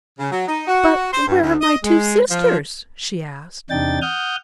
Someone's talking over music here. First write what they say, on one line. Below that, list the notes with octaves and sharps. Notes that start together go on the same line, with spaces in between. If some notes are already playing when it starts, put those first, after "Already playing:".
"But where are my two Sisters?" she asked.
C#3
F#3
D#4
F#4
C5
G2
D2
D#5
G#3
F3
E2 C3 D4 D#4 G5 A6
F#5 D#6 F6 G6